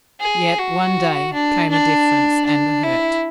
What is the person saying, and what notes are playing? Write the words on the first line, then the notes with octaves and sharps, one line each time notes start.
Yet, one day, came a difference and a hurt.
G#4
F#4
D4
D4
D4
E4